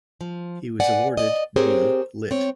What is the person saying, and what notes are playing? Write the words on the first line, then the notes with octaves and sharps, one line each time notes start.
He was awarded D. Litt.
F3
B4 D5 F#5 G#5
D5 D#5
C4 G4 G#4 A#4 C5 C#5
C4 C#5